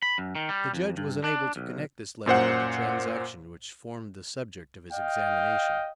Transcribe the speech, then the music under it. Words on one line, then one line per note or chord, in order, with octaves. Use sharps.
The judge was unable to connect this letter with the transaction which formed the subject of his examination.
B5
F#2
D#3
G3
F2
G2
D4
B1
F#2 A#2 C5 F#5
D#5 F5 G5